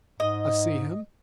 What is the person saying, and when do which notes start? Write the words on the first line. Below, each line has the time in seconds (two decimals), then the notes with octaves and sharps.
I see him!'
0.20 G#2 D#5